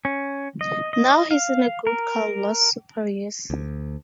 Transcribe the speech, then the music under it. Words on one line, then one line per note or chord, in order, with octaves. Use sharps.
Now he's in a group called Los Super Reyes.
C#4
D#5
D#5
F5
A#4
D2